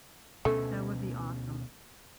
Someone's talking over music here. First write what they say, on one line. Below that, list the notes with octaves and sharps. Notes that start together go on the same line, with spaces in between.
That would be awesome.
D2 B2 A3 C#4